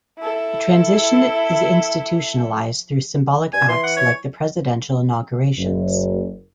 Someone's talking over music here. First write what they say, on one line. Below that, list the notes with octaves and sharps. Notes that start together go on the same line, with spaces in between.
The transition is institutionalized through symbolic acts like the presidential inaugurations.
E4 A4
G2 G#5
E3 C6
F#5
C#5
F#1 F#2